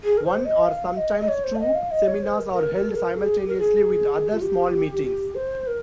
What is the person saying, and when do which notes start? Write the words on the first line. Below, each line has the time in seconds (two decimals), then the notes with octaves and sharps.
One or sometimes two seminars are held simultaneously with other small meetings.
0.04 G#4
0.18 A#4
0.24 C5
0.45 D#5
0.66 F5
0.97 D#5
1.20 D#5
1.29 C#5
1.44 C5
1.56 F5
1.60 D#5
1.75 F5
1.91 D#5
2.07 C#5
2.23 C5
2.38 A#4
2.53 A#4
2.75 A#4
2.90 G#4
2.95 A#4
3.17 G#4
3.37 G4
3.48 A#4
3.58 G#4
4.34 F4
4.42 G4
5.03 G4
5.35 C5
5.67 A#4